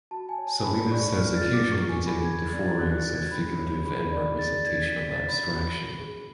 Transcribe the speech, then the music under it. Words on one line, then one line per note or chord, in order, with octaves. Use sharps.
Salinas has occasionally taken to forays of figurative and representational abstraction.
F#4 A5
G#5
C#5
A5
G#4 B5
D5 C#6
F4 F6
A6
F4
D6
G#4 C#6
G#5
G#4
B5
G#4 G#6
A6
D5 G#6
A6
G#6
F#4 F#6
A6
F#4
G#6
D4 B5
C#5
G#4 B5
D5
G#4 A6
D5 G#6
A6
G#6
D4 B6
A6
D4
B5
F#4
F#4
G#4